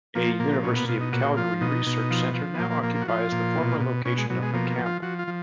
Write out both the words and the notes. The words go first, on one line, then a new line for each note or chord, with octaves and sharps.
A University of Calgary research centre now occupies the former location of the camp.
F3 A#3
A#2 A#3
B2 C#4
B3
B2 F4
D#4
A#2 F#4
F3 F4
B2 D#4
B2
F3
F3
B3
A#2 A#3
A#3
F3 A#3
A#3
F#4
F3 F4
A#2
B2
B2
B2 C#4
G#3
B2 F#3
G#3
F3 A#3
A#3
F3
F4
F3 F#4
F4
F3